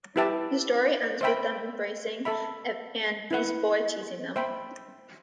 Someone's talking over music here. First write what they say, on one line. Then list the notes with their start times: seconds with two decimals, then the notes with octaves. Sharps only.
The story ends with them embracing, and Beast Boy teasing them.
0.16 E4 G4 B4 E5 A5
1.21 C5 E5 G5 B5
2.25 A4 E5 B5
3.31 E4 B4 F#5
4.36 C5 E5 G5 B5